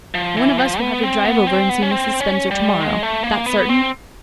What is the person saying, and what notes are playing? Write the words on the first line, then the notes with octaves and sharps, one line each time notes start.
One of us will have to drive over and see Mrs. Spencer tomorrow, that's certain.
F3
E3
F3
B3
C4
B3
C4
B3
C#4
C4
C#4
G3
G#3
A3
A#3
B3
C4